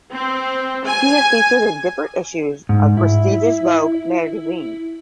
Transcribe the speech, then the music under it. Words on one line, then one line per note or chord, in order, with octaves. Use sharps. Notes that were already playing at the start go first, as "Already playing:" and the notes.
He has featured in different issues of prestigious vogue magazines.
C4
G#5
G#2
E4